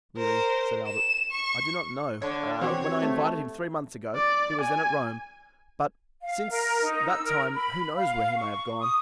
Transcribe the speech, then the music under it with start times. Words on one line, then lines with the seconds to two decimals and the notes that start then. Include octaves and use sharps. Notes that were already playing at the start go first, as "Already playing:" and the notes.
"Really," said Albert, "I do not know; when I invited him three months ago, he was then at Rome, but since that time who knows where he may have gone?"
0.17 A#4 C5
0.86 E7
1.31 C#6
2.22 D3 C#5
2.61 E3 C4 F#4 G4 C#5
3.02 A3
4.15 D5
4.61 G#5
6.23 F5
6.50 A#4
6.83 D#4
7.08 E6
7.24 A#4
7.55 B5
7.96 F5
8.37 C#6
8.80 D#6